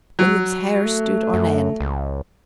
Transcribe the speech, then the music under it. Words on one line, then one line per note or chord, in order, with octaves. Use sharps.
William's hair stood on end.
F#3
A3
F#2
C#2